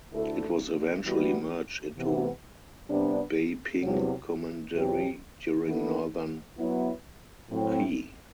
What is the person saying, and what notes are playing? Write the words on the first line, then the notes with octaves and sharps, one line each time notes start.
It was eventually merged into Beiping Commandery during Northern Qi.
D2 D3 A3 E4 A4
E3 G3 B3 F#4
C3 E3 B3
C3 G3 B3 D4
E2 C3 F#3
E2 B2 F#3 C4 G4
E3 B3 D4 A4
F#3 B3 E4
A2 F#3 C4